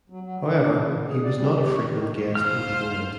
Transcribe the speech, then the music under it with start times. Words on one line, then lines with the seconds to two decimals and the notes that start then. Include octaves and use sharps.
However, he was not a frequent guest in Poland.
0.10 F#3
0.22 F#3
0.40 A2
0.55 D4
0.74 C#3
0.90 E2
1.08 G#4
1.24 D5
1.36 G3
1.59 G4
1.73 C#5
1.88 D#3
2.35 F4 C5 F6